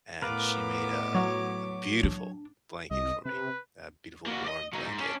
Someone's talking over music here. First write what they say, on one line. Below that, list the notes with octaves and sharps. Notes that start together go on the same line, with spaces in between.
and she made a a beautiful blanket for me, a beautiful warm blanket,
A2 B3 A#4 B4 F5 D6
F#3 C#5
D4
C2 D#5
C3 B4
A#3 F#4
D5 D#5
F#3 D#4
G#2
C#4 D4